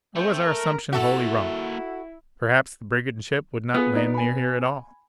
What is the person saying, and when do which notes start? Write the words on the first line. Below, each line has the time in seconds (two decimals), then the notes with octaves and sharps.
Or was our assumption wholly wrong: perhaps the brigand ship would not land near here at all!
0.16 A3 C4 G5
0.45 A#4
0.93 A#3 E4 F#4 A4 E5
3.74 B3 F4 G#4
3.95 D#4 D5
4.14 G#5 B5